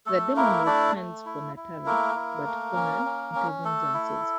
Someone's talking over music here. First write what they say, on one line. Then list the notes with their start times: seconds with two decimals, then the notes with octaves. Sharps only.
The demon returns for Natala, but Conan intervenes and saves her.
0.06 A3 A4
0.36 A#3 E4 A#4
0.66 A3 D4 D5
0.96 A3
1.26 E4
1.56 E4
1.86 A3 A#3 A#4
2.15 E4
2.46 A3
2.75 C#4
3.05 C#4
3.35 C#4
3.64 A3 A4
3.94 E4